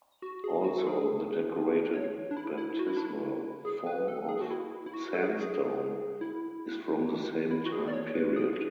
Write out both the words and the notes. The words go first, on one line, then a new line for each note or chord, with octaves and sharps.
Also the decorated baptismal font of sandstone is from the same time period.
F#4
G#4
F#4
A4
G#4
C#5
D4
E4
E4
F#4
E4
D4
E4
G#4
B4
A4
G#4
F#4
E4
E4
F#4
A4
G#4
F#4
G#4
E4
E4
F#4
G#4
D5
C#5
B4
G#4